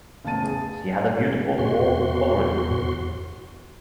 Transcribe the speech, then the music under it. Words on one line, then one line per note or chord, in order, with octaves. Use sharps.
She had a beautiful warm colouring.
F#1 E2 A2 A5 A6 D#7
G#4 A5
E2 F#4 C6